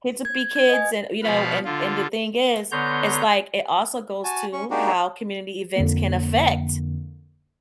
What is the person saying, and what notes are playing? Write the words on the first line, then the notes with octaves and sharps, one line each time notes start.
kids will be kids and you know, and and the thing is, it's like, it also goes to how community events can affect,
G#6
G#6
D#5 G#5
B2 F3 B4 F5 F#5
D3 F4
D3 B3 C#5 A#5 C6 G6
F#4 G#5 A5
C#4 C#6
G#3 A#3 D4 D#4 F#4 G4
F2 D3 A#3